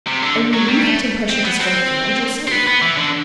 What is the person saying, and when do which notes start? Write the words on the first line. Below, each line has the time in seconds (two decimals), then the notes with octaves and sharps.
Only leave that impression to strengthen, and you're safe.
0.07 C3
0.23 D3
0.54 F#3
0.69 G3
0.84 A3
1.30 C4
1.45 B3
1.61 C4
2.47 C4
2.51 B3
2.67 B3
2.82 E3
2.97 D3